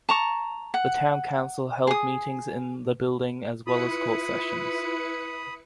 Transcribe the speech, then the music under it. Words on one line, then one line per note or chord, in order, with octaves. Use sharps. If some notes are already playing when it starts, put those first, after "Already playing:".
The town council held meetings in the building as well as court sessions.
A5 A#5 C#6
F#5
G#4 D#6
E4 F4 B4 B5 D#6 C#7